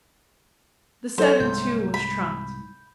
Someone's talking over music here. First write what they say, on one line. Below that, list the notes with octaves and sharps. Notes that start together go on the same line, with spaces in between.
The seven too was trumped.
F#3 A4 C5 C#5 G5
C2 G#2 G6
B5